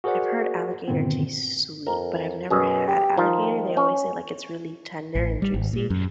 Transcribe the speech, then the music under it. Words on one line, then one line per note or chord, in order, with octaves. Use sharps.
I've heard alligator taste sweet, but I've never had alligator. They always say, like, it's really tender and juicy.
F#4 G#4 A#4 C5 D5 F#5
G2 A#2 D3 D#3 B3 C4
F2 A#4
F#2 B2 G#4
G4
D#3 F3 D#4 F4
C#4
A1
G3
G#1
A#2
F#2